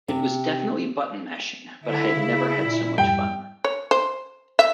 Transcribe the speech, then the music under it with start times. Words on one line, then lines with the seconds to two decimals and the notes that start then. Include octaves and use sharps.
It was definitely button mashing, but I had never had so much fun.
0.08 C3
1.84 D3 E4
2.16 C#3
2.65 A#2
2.98 F2 G#2 G3 G5
3.64 C#5
3.91 C5
4.59 E5